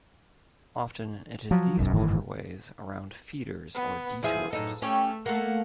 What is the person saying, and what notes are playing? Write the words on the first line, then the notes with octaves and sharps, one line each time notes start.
Often it is these motorways around feeders or detours.
F3 F#3
E1 B1 F#2
F#1 G#2 D#3 E3
B3
E2 F3 G#4 E5
F#2 A2 D#4 A4
A3 C#4 G4 C#5
A3 A#3 F#5